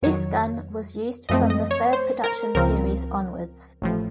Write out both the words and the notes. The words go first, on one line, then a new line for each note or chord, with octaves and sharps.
This gun was used from the third production series onwards.
F2 D#3 F#3 C#5
F#2 F3 A3 C4 D#5
D#5
C#5
C5
A#4
C#2 C#3 F3 C4 A#4
A1 A2 F3